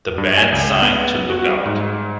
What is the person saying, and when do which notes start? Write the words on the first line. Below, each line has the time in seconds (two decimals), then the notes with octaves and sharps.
The band signed to Lookout!
0.18 G2
0.38 G#5
0.52 C#2
0.82 B3
1.30 F#4
1.48 G3
1.65 G#2